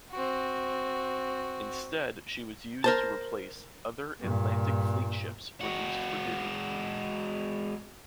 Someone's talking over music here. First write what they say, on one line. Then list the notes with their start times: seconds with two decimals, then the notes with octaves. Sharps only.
Instead, she was used to replace other Atlantic Fleet ships released for duty.
0.11 C4 F#4
2.84 A#4 C5 A5
4.20 G2 A#2
5.61 G#3 F#4